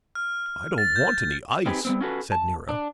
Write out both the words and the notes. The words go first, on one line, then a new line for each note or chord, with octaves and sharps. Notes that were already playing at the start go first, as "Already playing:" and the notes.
"I don't want any ice," said Nero.
F6
F6
A6
G6
C4 D#4 G4 G#4 B4
G3 B3 C4
C#4 F4 F#4 G#4 A4 B4
A5
D4